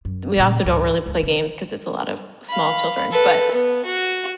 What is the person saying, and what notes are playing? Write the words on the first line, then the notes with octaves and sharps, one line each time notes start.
we also don't really play games 'cause it's a lot of small children, but,
F#2
A#2 C#3
C#2 G#2
C#2
C#3
F5 B5
A4 B4
B3
F#4